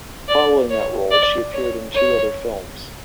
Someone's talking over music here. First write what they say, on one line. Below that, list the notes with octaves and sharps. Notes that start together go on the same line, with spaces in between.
Following that role, she appeared in two other films.
D5
C#5
D5
C#5
C#5